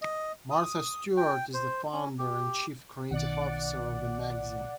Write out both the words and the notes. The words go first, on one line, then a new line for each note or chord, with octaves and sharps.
Martha Stewart is the Founder and Chief Creative Officer of the magazine.
D#5
D#6
G5
C5
C#4
G4
B1 D#3 D5 F#5